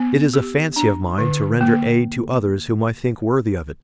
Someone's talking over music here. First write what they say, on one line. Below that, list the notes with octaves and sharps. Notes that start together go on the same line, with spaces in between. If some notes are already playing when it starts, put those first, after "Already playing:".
It is a fancy of mine to render aid to others whom I think worthy of it.
Already playing: B3
G4
D4
D3
A#3